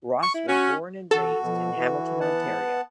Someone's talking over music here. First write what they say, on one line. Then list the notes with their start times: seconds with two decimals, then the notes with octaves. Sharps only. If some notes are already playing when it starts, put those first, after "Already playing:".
Ross was born and raised in Hamilton, Ontario.
0.23 C#6
0.34 E4
0.48 C#4 F#4
1.11 E3 F#4 A4
1.43 B2 F3
1.77 E3 B4
2.21 B3 F#5 A5